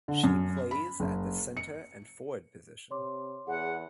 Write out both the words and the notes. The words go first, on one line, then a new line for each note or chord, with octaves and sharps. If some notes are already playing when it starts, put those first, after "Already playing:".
She plays at the Centre and Forward position.
D3
F#2
B5
F#1
C#7
C3 C#5 C6 D6
E2 G#4 F#5